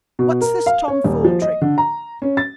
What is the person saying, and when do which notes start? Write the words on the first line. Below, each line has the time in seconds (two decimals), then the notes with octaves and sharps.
What's this tomfool trick?
0.19 B2
0.41 A#4
0.66 F5
0.88 C#5
1.04 D#1
1.24 F3
1.42 D#5
1.61 D3
1.78 A#5
2.22 C#4
2.37 A6